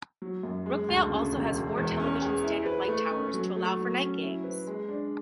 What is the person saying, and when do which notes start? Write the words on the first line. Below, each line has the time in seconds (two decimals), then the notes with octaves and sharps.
Brookvale also has four television standard light towers to allow for night games.
0.22 F#3
0.43 F#2
0.66 G#3
0.89 D2
1.10 C#3
1.32 E1
1.55 G#3
1.77 E2
2.00 C#4
2.22 G#4
2.43 E4
2.66 B4
2.88 A3
3.11 C#4
3.34 F#3
3.56 A3
3.77 F#3
4.00 C#4
4.23 E4
4.44 B4
4.67 G#3
4.89 D4